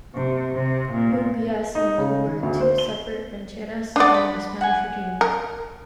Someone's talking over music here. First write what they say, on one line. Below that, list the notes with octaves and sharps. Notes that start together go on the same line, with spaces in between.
Buguias and Loo were two separate "rancheria"s during the Spanish Regime.
C3
C3
A#2
D#4
C#3
D#3
D2
C5
G7
D4 D5 F#5 C6 D#6
B5
F#5 G#5
A#4